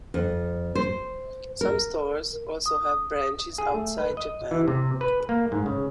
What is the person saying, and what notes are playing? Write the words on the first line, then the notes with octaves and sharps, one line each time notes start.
Some stores also have branches outside Japan.
F2
C5
A#4
D#6
G#4
A3
B4
D#5
E3
C3
B4
A#3
G#2
C#3